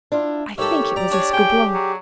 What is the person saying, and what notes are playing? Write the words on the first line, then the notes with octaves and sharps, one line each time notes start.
I think it was Escoublon.
D4 E4 F4
D#3 G4 A4 C#5 E5
D5 A#5
D4 C#5 G#5
G#4 G5
F#3